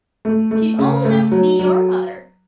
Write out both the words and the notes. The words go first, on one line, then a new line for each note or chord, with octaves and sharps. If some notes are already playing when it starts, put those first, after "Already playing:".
She's old enough to be your mother.
A3
A3
C#3
A3
F#3
F#3